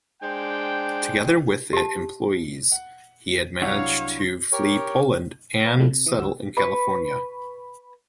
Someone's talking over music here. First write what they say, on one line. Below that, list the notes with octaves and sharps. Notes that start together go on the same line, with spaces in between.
Together with it employees, he managed to flee Poland and settle in California.
G#3 D4 C5 G5
G4 A5
F#5
C2 F#3 D4 E4 C#5 F5 F#5
G4 A#4 C#5
B4 F5 A#5
A2 F3 F#3 G#3 A3 E4
C3
E3 D#6
D2 G#2 F#4 E6
B4 C#6